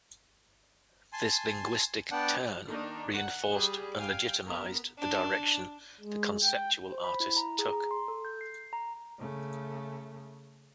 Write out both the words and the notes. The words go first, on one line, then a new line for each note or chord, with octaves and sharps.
This linguistic turn "reinforced and legitimized" the direction the conceptual artists took.
G#5 A5 C6
B3 D4 D5 F#5 G5 A5
D#3 A#3 D4 D#4
F#5
G3 G#4
F5 G5 G#5
B3 A#4
D4
G#3
G5
C5
B5
E4
A#5
G#4
A#5
C6
A4
G6
C7
A#5
C#3 A3